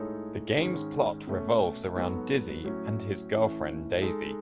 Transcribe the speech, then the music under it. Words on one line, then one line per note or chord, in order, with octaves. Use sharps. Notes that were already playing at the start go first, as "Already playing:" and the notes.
The game's plot revolves around Dizzy and his girlfriend Daisy.
Already playing: A2 G#3 D#4 A4 C#5
G#2 D#3 G#3 C#4
B2 A3 C#4
G#2 F#3 B3 F#4 A4
A2 F#3 C#4
A2 E3 A3 C#4
G#3 D#4 A4